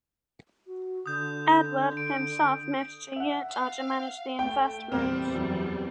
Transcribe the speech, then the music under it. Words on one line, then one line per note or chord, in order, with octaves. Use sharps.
Edward himself moved to Utah to manage the investments.
F#4
D3 D#6 G6
D7
E5 F#5
F5
A3 G5
E2 A#2 G3 C4 F6
F#2 E3